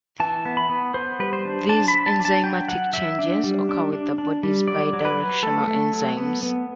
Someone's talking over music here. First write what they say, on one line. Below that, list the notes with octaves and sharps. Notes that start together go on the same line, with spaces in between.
These enzymatic changes occur with the body's bidirectional enzymes.
E3 A5
B3
B5
B3
B3 C5
G3 B4
C5
D4
D4 A5
B5
F#3
A5
D4
A5
F#3 G5
F#3 F#5
F#3 E5
D4
G3
D4
D4
D4
G3
F#3 D5
F#3
B4
F#3
A3 A4
A3
F#3
B3
B3